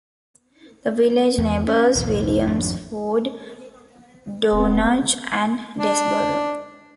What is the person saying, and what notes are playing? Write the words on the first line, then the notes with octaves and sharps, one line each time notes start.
The village neighbours Williamsford, Dornoch, and Desboro.
E2
C#4
B1 E2 A2
G#1 F2 D4
E1 B3 C4
D4